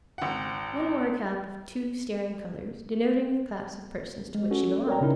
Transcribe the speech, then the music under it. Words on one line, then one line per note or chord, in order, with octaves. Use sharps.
One wore a cap of two staring colors, denoting the class of persons to which she belonged.
G#1 F#5
G#3
C#4 F#4 A4
A#4 C#5 D5 G5 A#5
C#3 C#4 D#4 E4 A#4